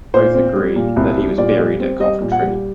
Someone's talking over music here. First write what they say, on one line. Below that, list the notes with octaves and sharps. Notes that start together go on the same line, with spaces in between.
Both agree that he was buried at Coventry.
A#2 C5
C4
G3
A#2
C2
G3
A#2 D5
G3
C4
G3 D#5
A#2
F#5
G3